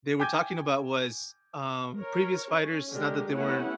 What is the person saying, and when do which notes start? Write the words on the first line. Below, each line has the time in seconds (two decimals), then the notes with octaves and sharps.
they were talking about was, um, previous fighters it's not that they weren't
0.20 G5 G#5 D6 G6 G#6 D#7
1.99 A#4 C#5
2.53 C#4
2.92 D3 G#3 D4 G4 A#4
3.32 A3 B3 C#4 E4 G4 F#5